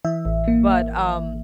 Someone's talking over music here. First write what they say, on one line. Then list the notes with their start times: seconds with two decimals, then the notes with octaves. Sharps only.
but, um,
0.05 E3 E5
0.25 A1
0.48 A#3